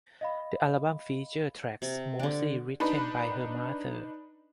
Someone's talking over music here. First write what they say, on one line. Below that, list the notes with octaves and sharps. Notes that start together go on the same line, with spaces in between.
The album featured tracks mostly written by her mother.
D#5 F5 B5
C3
D3 D4
D4 D#4 B4 B5